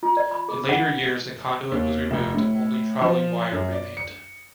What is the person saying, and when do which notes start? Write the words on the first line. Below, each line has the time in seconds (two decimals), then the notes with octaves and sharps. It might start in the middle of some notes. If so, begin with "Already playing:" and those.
In later years the conduit was removed and only trolley wire remained.
0.03 F4
0.17 D5
0.31 B5
0.49 G#4
0.69 F#5
1.72 D#2
2.11 F1
2.34 A2
3.01 F3
3.52 F#2
3.73 D5
3.97 C#7